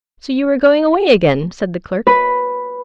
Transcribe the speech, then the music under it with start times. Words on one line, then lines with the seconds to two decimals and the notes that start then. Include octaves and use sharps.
"So you are going away again!" said the clerk.
2.07 B4